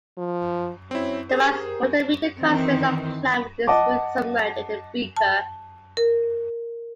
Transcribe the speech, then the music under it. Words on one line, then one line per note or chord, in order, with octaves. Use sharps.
The mass potometer consists of a plant with its root submerged in a beaker.
F3
F#3 C4 C#4 E4 C#5
G4 G#4 A#4 C5
D#3 E3 C4
D#5 F#5 A5 D6
A5
A#4